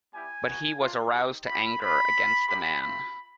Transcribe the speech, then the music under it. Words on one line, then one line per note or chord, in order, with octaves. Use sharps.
But he was aroused to anger against the man.
G3 B3 E4 G4 G#5
B3 D#4 F#4
A#3 D4 F4
C4 D#4 G4
G3 C4 F4 B5
C4 F4 B5
C4 F4
A#3 D#4 G4 B5
A3 C4 F4 B5